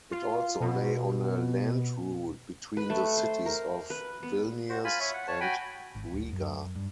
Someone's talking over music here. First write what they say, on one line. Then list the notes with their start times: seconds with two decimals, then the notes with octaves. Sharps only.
It also lay on a land route between the cities of Vilnius and Riga.
0.11 F4
0.60 B2
2.77 B4
2.90 A3
3.17 C5
3.46 A#4
3.90 B4
4.23 B3
4.69 F#4 C5
4.85 F4 G#5 B5
5.00 C#5 E5
5.14 F#5
5.28 C#5 A5
5.41 F#4 G5 G#5 B5
5.95 G#1
6.12 D1
6.33 F#2
6.75 G2